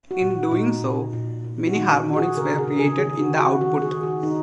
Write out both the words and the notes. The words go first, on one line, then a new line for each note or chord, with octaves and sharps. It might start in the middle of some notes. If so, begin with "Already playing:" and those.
In doing so, many harmonics were created in the output.
F#4
A#2
F#4
A#2 D#4
A#2
A#2
A#2
F#4
D#3 D#4
D#3
F#4
G#4
C#3 A#4
G#4
C#3
G#4
D#3 G#4
F#4
D#3
F#4
D#3 F#4
G#4
D#3
F#4
D#3 D#4